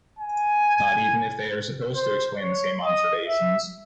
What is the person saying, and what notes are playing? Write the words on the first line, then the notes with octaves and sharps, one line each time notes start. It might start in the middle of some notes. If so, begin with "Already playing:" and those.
Not even if they are supposed to explain the same observations.
G#5
C5
C#5
D#5
E5